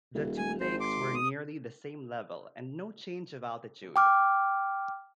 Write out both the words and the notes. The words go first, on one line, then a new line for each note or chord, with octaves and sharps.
The two lakes were nearly the same level and no change of altitude.
D#1
G#5
G#1 C5
C6 D6
D#6
G5 D6 F6